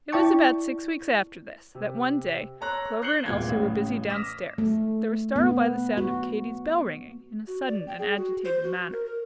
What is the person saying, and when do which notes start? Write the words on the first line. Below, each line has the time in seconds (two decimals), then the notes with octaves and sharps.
It was about six weeks after this, that one day, Clover and Elsie were busy down stairs, they were startled by the sound of Katy's bell ringing in a sudden and agitated manner.
0.12 E4 D5 G5 A5 C#6
1.75 C3
2.61 A4 C#5 A#5 C6 F#6
3.02 F#6 G6 C7 C#7 F#7 G7
3.26 D#1 A1 A#2 G#3 D5 G#6
3.48 A1 A2 C#3 F5
4.10 D6 D#6 F6 A#6 B6 E7
4.58 A3
5.36 B3
5.97 F#4
7.47 F#4
7.67 D5
7.87 G5
7.99 G#4
8.17 F#4
8.45 C5
8.63 F#4
8.92 A#4
9.06 A#4